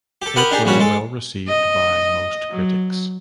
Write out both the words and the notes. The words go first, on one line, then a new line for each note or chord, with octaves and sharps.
It was well received by most critics.
G4 A4
G4 A#4 F#5 G5 B5 D#6
D4 D#4 G4 G#4
A#1 G3 C#4 F#4
G#3 A4
D#5
F#3